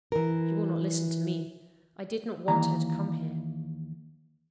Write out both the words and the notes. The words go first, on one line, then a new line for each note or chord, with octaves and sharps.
She will not listen to me: I did not want her to come here.
E3 A#4
D#2 E3 A#5